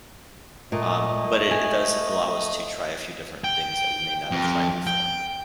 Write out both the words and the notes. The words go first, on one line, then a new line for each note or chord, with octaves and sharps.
Um, but it it does allow us to try a few different things that we may not have tried before.
A#2 A3 D#5
G#5
G5
F2
G5